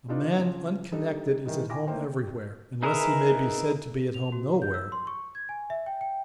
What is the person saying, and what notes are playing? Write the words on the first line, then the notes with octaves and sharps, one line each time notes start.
A man unconnected is at home every where; unless he may be said to be at home no where.
B3 D4 D#4 F4 G4
C#3 F3
G3 D4 D#4 A4
D#3 E3 G3 D#4
E4 G5 G#5 C#6 D6 A#6
A3 A#3 D#4 C5 G5
D#4 G#4 A#4 B4 E5
F7
F#4
G6
E6
C6
C#6
G#6
G#5
E5
G5
G5